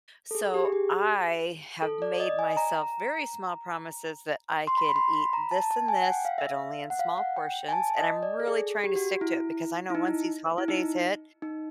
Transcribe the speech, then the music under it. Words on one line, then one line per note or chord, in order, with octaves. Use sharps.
So, I have made myself very small promises that I can eat this and this, but only in small portions, and I'm really trying to stick to it because I know once these holidays hit,
A4
G#4
G4
G#4
G4
A4
D5
D#5
G#5
A#5
C6
B5
B5
C6
B5
A#5
A5
A5
G#5
F#5
G5
F5
E5
F5
F#5
F5
F#5
G5
G#5
A5
D#5
D5
A4
G#4
G4
F#4
E4
E4
D#4
E4
D#4
D#4